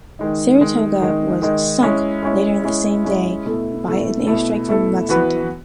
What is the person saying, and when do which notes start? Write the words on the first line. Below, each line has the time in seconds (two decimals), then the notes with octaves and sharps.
"Saratoga" was "sunk" later the same day by an airstrike from "Lexington".
0.19 D#3 G#3 D#4
0.60 D#3 G#3 D#4
1.01 D#3 G#3 D#4
1.42 D#3 G#3 D#4
1.83 G#3 C#4 E4
2.23 G#3 C#4 E4
2.64 G#3 C#4 E4
3.04 G#3 C#4 E4
3.45 B2 A3 E4 A4
3.87 B2 A3 E4 A4
4.27 B2 A3 E4 A4
4.68 B2 A3 E4 A4
5.09 E3 B3 F#4 B4